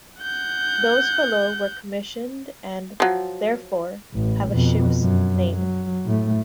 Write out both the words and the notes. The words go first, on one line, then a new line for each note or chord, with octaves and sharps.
Those below were commissioned and, therefore, have a ship's name.
F#5 G6
F3 F#3
A1
F2 B2
F#2
F#3
A2 A3